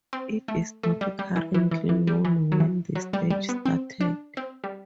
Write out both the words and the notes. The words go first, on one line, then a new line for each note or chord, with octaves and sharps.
It is not currently known when this stage started.
C4
A3
A3
G3
G3
E3
E3
E3
E3
G3
E3
F#3
E3
F#3
G3
G3
B3
C4
D4
C4
G3